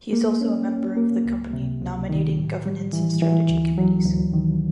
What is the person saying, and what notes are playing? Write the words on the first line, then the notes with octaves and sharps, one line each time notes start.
He is also a Member of the Company Nominating, Governance and Strategy Committees.
A#3
C#4
C#4
A#3
C#2
C3
C#2
D#3
A2
G3
E3
E3
D2
F#3
D2
D#3